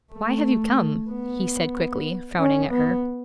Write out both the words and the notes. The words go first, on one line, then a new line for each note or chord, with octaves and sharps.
'Why have you come?' he said quickly, frowning at her.
A3
B3
C#4
B3